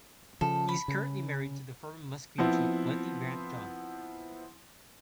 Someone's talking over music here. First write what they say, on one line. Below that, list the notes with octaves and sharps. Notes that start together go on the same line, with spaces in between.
He is currently married to former Musqueam chief Wendy Grant-John.
C#3 F3 A4
B5
C#3
F3 B3 C4 E4